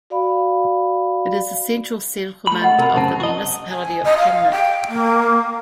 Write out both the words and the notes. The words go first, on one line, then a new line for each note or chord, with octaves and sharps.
It is the central settlement of the Municipality of Kamnik.
F#4 D5 F5 B5
A3 B5
D#5 F#5
C3 A#4 A#5 B5
F#2 C#3 C4 A5
F#4 D#5
G#5
D#5
F5
G5
A#3